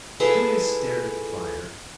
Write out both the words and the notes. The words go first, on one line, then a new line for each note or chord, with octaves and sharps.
Julius stared at the fire.
E4 F4 G#4 A4 B4